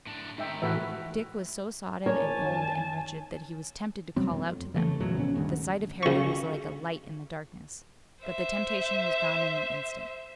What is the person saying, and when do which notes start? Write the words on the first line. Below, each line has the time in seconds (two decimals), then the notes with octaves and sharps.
Dick was so sodden and cold and wretched that he was tempted to call out to them--the sight of Harry was like a light in the darkness--but the temptation was gone in an instant.
0.06 A2 D4
0.38 G#2 D#3 D#4 E5 G5
0.62 A2 E3 F#4 B4 E5
2.06 A#4 C#5 D5 G#5 A5
2.39 F#2 D#3
4.16 B2 F#3 G3 C4
4.31 F2
4.74 C#3 E3 G3 A3
5.00 A#1 E2 C#3 F#3
5.16 F2 B2 C#4
5.35 D2 G2 D#3
6.03 C#2 C#6
8.24 C5 E5